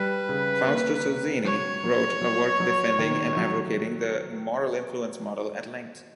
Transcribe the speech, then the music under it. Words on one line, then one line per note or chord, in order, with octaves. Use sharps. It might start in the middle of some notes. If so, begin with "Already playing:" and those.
Fausto Sozzini wrote a work defending and advocating the moral influence model at length.
Already playing: G3 B4
C#3
A#3
C#3
F#3 C#5
F#3
F#3
F#3
D#3
F#3